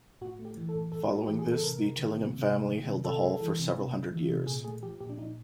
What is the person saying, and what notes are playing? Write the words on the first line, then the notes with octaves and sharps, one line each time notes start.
Following this the Tillingham family held the hall for several hundred years.
A2 F#4
A3
G4
E3
A4
A2
A2 A4
A3
F#4
E3 G4
G#4
A2
A4
C3 A#4
G#3
D#3
C3
C3
G#3
D#3
C3
C3 A4
G#3
E3
C3
C3
G#3
E3
C3
A#2 G#4
A3 G#4
F3 G4
A#2 G4
D4
A#2 D#4